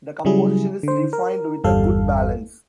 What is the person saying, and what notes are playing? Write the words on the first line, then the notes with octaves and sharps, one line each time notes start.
The composition is refined with a good balance.
C#3 F#3 G3 E4 G#4
D3 C5
A#4
G1 E2 G2 G3 A4 F5